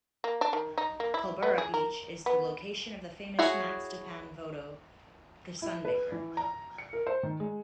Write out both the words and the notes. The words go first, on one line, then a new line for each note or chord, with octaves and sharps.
Culburra Beach is the location of the famous Max Dupain photo "The Sunbaker".
A#3
D4
D#3
D#4
A#3
E4
B3
G#4
A#4
B3
E4 F#4 G#4 C#5
E4
B4
E3
A#5
C#7
A#4
C5
D#3
G#3